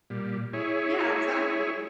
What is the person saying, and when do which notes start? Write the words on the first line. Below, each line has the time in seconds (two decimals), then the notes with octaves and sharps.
Yeah, exactly.
0.10 A#2 G3
0.53 E4 G#4 C#5